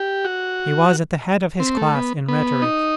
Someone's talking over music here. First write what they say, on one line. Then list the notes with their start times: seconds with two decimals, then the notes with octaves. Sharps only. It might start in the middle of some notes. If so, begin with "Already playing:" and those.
He was at the head of his class in rhetoric.
Already playing: G4
0.25 F#4
1.60 C4
1.77 A3
1.95 B3
2.29 B3
2.62 D#4